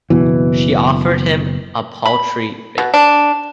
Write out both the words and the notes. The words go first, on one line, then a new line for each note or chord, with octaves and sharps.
She offered him a paltry rate.
F#1 B2 E3
B5
B2
D4